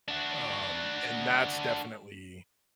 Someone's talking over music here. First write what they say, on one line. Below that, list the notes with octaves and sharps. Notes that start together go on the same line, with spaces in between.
Um, and that's definitely
D4 F#4